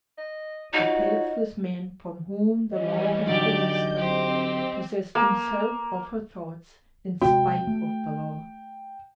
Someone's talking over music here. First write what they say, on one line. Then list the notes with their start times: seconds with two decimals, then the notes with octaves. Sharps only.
The faithless man from whom the law had released her, possessed himself of her thoughts, in spite of the law.
0.18 D#5
0.73 D#4 F4 F#4 C#5 D#5
2.71 E3 G3 C#4 D#5
3.26 D3 F#3 D#4 G4 D5 G6
3.97 C4 G4 C5
5.15 A#3
7.22 C3 G#3 C4 F#4 G5
7.67 A3